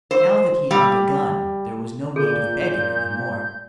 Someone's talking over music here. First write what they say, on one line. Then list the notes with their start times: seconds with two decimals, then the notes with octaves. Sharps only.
Now that he owned a gun there was no need of begging any more.
0.11 C5
0.71 G3
2.16 A#2 G#4 A4 G6